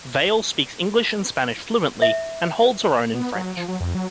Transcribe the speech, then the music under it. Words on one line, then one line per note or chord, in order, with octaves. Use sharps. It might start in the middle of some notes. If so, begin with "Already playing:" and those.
Vale speaks English and Spanish fluently, and holds her own in French.
E5
B3
F#3
F3
F#3
F2
F#3